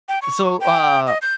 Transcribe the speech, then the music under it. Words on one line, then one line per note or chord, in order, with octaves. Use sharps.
So, uh,
G5
C#6
G5
D#5
G6